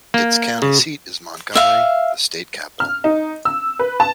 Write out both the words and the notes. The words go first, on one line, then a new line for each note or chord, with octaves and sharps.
Its county seat is Montgomery, the state capital.
A#3
C#3
E5 F5
F6
D#4
E6
B4
A5